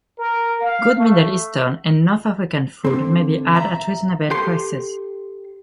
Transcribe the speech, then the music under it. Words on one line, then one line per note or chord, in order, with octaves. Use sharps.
Good Middle Eastern and north African food may be had at reasonable prices.
A#4
F5
A3
D3 C4
E5 A#5
G4 A4 C6